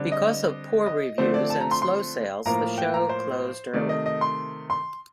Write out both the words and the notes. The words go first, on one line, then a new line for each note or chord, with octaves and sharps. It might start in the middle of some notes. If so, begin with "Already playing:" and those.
Because of poor reviews and slow sales the show closed early.
Already playing: D3 G3 C4
D#5
D#5
D3 F3 A3 C4 C5
D5
A5
A#5
C6
C6
A2 F3 A#3 A#5
G5
A#5
C5
C3 D#3 A3 D5
D#5
D#5
C6
C6